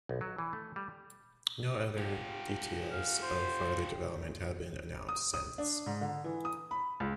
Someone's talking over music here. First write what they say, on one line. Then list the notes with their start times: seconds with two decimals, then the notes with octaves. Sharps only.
No other details of further development have been announced since.
0.09 B1
0.21 F#3
0.38 E3
0.53 A3
0.76 G3
1.98 F4 G4
2.92 F5
3.23 C5
5.09 D#6
5.34 D#6
5.58 D4
5.86 G#2
6.01 D3
6.24 E3
6.45 D#6
6.71 B5
7.00 C#2